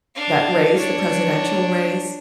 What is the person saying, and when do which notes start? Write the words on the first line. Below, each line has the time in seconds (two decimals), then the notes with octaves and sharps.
that race the presidential race
0.15 D4 F5
0.76 D4 C#5